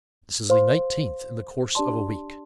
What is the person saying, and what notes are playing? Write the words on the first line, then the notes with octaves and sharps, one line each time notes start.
This is the nineteenth in the course of a week.
C5 F5 C6
D4 G4 D5 A5 C6